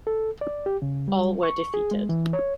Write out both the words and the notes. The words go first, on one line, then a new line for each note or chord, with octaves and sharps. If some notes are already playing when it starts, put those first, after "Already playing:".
All were defeated.
A4
D5
G4
C#3
G3
C#6
G#4
G#3
E3
C#5